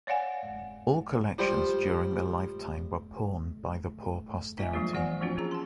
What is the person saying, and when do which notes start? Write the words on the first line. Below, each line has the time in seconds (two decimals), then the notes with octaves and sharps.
All collections during the lifetime were pawned by the poor posterity.
0.07 C#5 D5 F5 F#5 G#5
1.39 F3 G3 C5
4.58 D#4 F4 D#5 E5 G#5
4.73 F3 F#3 G#3 A#3 D4 F4
4.93 E3 B3 D5 F#5 G#5
5.21 F3 A#3 C4 D4 F4 F#4
5.37 C#4 F4 G#4 A#5
5.51 A5 C6